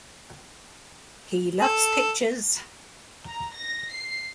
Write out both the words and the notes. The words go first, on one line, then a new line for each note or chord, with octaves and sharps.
He loves pictures!
A4
A#5
A#6
C7